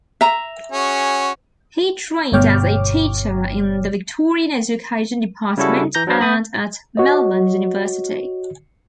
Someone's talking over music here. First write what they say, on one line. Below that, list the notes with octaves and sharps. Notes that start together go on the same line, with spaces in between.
He trained as a teacher in the Victorian Education Department and at Melbourne University.
E5 A#5
C#4 F#4 G#4
G1 B2 C#5 G5 D6 F6
C#3 G3 C#4 E4 F#4 A4
E3 A#5 G6 A#6
F#3 D4 B4 C5 F5
B3 B5 D#6
F#4 C#5 D#5